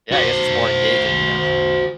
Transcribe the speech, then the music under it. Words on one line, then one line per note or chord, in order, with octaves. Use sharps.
Yeah, I guess it's more engaging, you know, so
F#4 C5